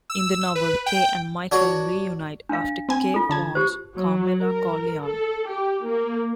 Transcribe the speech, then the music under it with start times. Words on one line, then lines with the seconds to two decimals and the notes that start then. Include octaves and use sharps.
In the novel, Kay and Michael reunite after Kay phones Carmela Corleone.
0.10 E6
0.55 B4
0.86 G5
1.52 D4 F#4 C#5
2.49 D4 F5
2.89 C4 G#5
3.14 F4 A4
3.30 D3 A5 G#6
3.55 G4 C5
3.96 F#3
4.41 A#4
5.03 A4
5.47 G4
5.86 A#3